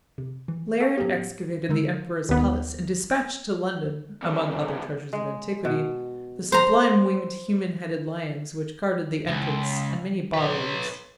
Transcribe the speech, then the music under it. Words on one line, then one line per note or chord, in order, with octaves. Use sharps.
Layard excavated the emperor's palace and dispatched to London, among other treasures of antiquity, the sublime winged human-headed lions which guarded the entrance, and many bas reliefs.
C3
E3
A4 E5 F5 C#6
A2 F#3 B3 C#4 G4
D3 G#3 D#4 A#4 E6
D#2 B3
E2 G2
G#3
B2
C5 A#5
C#2
B4 C#5